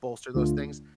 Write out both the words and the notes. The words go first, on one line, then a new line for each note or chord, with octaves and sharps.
bolster those things.
D2 D3 A3 D4 F4